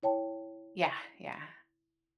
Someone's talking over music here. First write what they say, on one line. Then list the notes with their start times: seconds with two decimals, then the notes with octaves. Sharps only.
Yeah, yeah.
0.03 E4 C#5 G5 A5